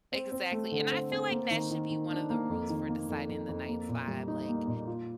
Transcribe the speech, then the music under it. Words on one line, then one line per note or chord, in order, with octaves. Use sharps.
Exactly, and I feel like that should be one of the rules for deciding the night's vibe, like,
C4
C4
A3
D3
C4
C4
A#3
D#3
D#3
D#3
D4
A#3
F2
D#3
A#3
F2
F2
F2
A#3
A#2
G3
D#4
A#3
A#2
F4